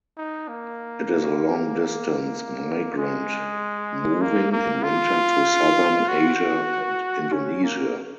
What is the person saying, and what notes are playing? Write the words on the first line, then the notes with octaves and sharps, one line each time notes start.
It is a long-distance migrant moving in winter to southern Asia and Indonesia.
D#4
A#3
G#3
A#3
A#3
F4
F#4
C#4
A#3